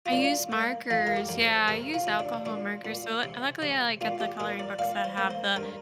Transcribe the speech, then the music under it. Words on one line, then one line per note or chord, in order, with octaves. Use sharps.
I use markers yeah, I use alcohol markers, so lu luckily, I, like, get the coloring books that have the
F4
A#2 D4
A#3
F2 F4
A#4
G4
F2
C5
C3 A#4
F4
C3
D4
A#2 D4
A#2
C3
C3
A#2 F4
G4
A#2 A#4
D5
A#2 F5
C5
A#3
C5
G2 A#4